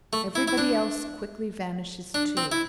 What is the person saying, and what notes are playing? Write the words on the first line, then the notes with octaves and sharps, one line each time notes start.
Everybody else quickly vanishes too.
A3
E4
E4
D4
D4
C4
E4